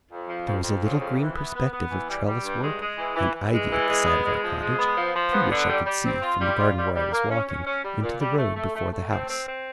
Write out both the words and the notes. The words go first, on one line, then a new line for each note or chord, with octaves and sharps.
There was a little green perspective of trellis-work and ivy at the side of our cottage, through which I could see, from the garden where I was walking, into the road before the house.
F2
F3
F2
F2
C#3
F2
E3
B3
B3
B3
E3
G3
G3
G2
G#3
G#3
E3
E3
E3
G#3
E3
G#3
B3
G#3
F3
G#3
B3
F3
F3
B3
D3
G3
G3
C4
F4
G3
F4
G3
G3
A#3
C#4
C#4
C#4
G3
A#2
G3
A3
A3
A3
A3
C4
C4
C4